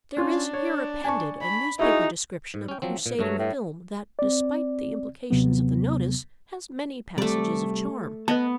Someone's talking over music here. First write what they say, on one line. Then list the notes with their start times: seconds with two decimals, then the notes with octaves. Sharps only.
There is here appended a newspaper description of a crusading film, that, despite the implications of the notice, has many passages of charm.
0.17 C#4 D4 F4
0.53 C#5
1.04 G#5 A5 C#6
1.41 B5
1.79 D#4 E4 F#4 G#4
2.54 G#2
2.68 C#4 G5
2.82 F3 F#3 C4
3.06 A#2
3.19 G2 F#3 A3
3.39 A2
4.19 C4 D5
5.31 D#2 C3 F#3 B3
7.18 C3 G3 A3 D5
8.28 B3 B4 D#5 A5